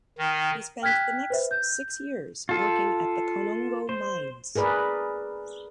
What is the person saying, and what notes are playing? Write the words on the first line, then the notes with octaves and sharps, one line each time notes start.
He spent the next six years working at the Konongo mines.
D#3
G5 F6 F#6 G#6 B6
B4 C5 E5
G6
F4 A4
C5
G#4 A#4 B4 D5